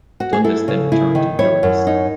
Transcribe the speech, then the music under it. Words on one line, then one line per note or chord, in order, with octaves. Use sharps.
Dundas then returned to "Euryalus".
F#4
G#4
E4 A4
C#3
E4 G#4
D#3
E4 C#5
F#2
D#4